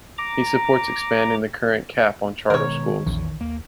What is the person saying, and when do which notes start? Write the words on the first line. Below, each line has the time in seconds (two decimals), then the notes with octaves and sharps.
He supports expanding the current cap on charter schools.
0.18 A#5 D6
2.50 B2 D#3 G#3 A#4 C#5
3.07 A#1 E2
3.41 D#2 A#3